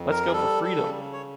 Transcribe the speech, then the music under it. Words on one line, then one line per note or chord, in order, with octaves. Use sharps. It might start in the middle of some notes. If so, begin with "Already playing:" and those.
Let’s go for Freedom!
Already playing: F2
A#4
G#4
G3 A4
A4
C#3
C#5